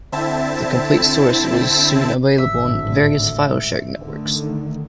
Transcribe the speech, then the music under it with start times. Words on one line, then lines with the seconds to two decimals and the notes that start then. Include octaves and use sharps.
The complete source was soon available in various file sharing networks.
0.12 D3 C4 E4 E5 A5
2.38 G#1 A2 D3 E5
3.99 D3 D#3 A3